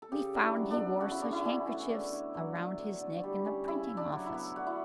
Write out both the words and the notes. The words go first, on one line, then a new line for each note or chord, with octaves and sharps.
We found he wore such handkerchiefs around his neck in the printing office.
A4
C#3 G4
D4
E4
F#3
D4
B3
C#3 F#4
E4
C#3 D4
E4
E3 D4
A3
D3
D4
F#3
A3
D3
D3
G3
C#4
C#3 E4
C#3
D4
F#3
E4
B3
D3 F#4
E4